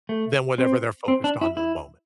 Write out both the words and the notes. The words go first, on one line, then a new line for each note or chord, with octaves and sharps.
than whatever they're focused on in the moment.
A3
C4
C4
D4
E4
E4